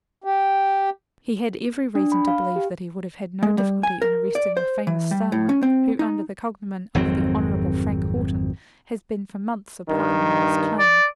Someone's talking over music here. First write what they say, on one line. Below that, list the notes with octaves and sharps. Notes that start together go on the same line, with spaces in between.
He had every reason to believe that he would have had no difficulty in arresting the famous Starlight, who, under the cognomen of the Honourable Frank Haughton, has been for months a partner in this claim.
G4
D4
B5
F5
G4
G#3
G3
G#5
A#4
D5
C5
E3
G3
A2
C#4
C4
D#4
G#1 F2 F#3 C4
G2 D#3
D5